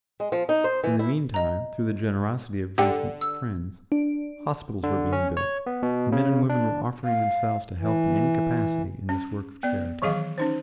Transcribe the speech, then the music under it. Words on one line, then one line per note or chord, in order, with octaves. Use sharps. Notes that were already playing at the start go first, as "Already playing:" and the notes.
In the meantime, through the generosity of Vincent's friends, hospitals were being built and men and women were offering themselves to help in any capacity in this work of charity.
G#3
F3
D#4
C5
E3
E4
D#5 A#5
D3 G4 F#5 G5 E6
E6
D4
D3
C#4
C#5
B3
B2
C#3
D4
F5
E3
C#4
B3 D5
D#3 E3 F#3 G#4 D#5 F5
C#4 D#4 C5